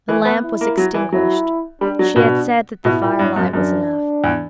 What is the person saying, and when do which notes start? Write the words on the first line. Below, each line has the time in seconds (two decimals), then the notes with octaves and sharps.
The lamp was extinguished; she had said that the firelight was enough.
0.09 E3
0.25 B3
0.43 E4
0.61 A#3
0.77 F#3
0.94 E3
1.12 F#3 E4
1.81 G3 D4
1.99 F#3
2.16 B2
2.85 B2 E4
3.02 A#2
3.19 G2
3.36 F#2
3.53 F#2 D4
4.24 E2